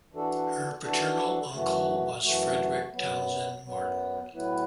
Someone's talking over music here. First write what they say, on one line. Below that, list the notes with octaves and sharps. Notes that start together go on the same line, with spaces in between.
Her paternal uncle was Frederick Townsend Martin.
E3 D4 F#4 A4
E3 D4 F#4 A4
F#2 E3 A3 F#4
F#2 E3 A3 F#4
F#2 F#3 B3
F#2 F#3 B3
A2 F#3 B3 E4 B4